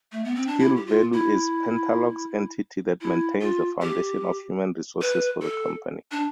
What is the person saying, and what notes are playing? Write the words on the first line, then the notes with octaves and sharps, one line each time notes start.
SkillValue is Pentalog's entity that maintains the foundation of human resources for the company.
A3
B3
C4
D4
E4
G4
F4
E4
E4
F4
G4
B4
A4
D4